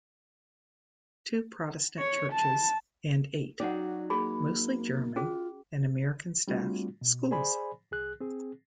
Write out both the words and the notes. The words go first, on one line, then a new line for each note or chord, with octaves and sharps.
Two Protestant churches and eight, mostly German- and American-staffed, schools.
C#5
A5
F#3 C#4 D#4 F#4 D5 F#5
A#3 F#4 G#4 B5
C#4 F4 F#4 G#4
G3 A3 C4 D4 F4 F#4
B2
G#4 C5 D5 G#5 B5
C2 G#4 F#6
C4 G#4